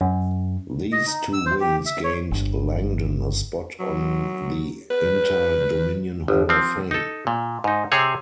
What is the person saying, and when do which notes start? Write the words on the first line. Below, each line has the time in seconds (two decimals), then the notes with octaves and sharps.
These two wins gained Langdon a spot on the Inter Dominion Hall of Fame.
0.01 F#2
0.92 D#5
1.07 D#4
1.33 E6
1.46 C5
1.60 G4
1.86 E5
2.04 C#5
2.32 G1
3.79 F#3
4.91 B4
6.28 G1
6.49 F3 C4
6.91 D#4 A4
7.27 A#2
7.64 G#2 D#4
7.92 C3 C4 G#4 C#5